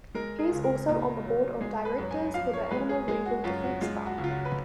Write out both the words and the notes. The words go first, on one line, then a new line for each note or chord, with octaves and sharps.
He is also on the Board of Directors for the Animal Legal Defense Fund.
G#3 A#4
G#4
C#2
A#4
A#2
F#3
G#3 G#4
B4
F#2
G#5
F3 F5
C#5
G#3 B4
G#4
G#3 G#4
F#4
F#2 F4
F#4
G#3 F4
F#4
C#2
F4
F#4
B4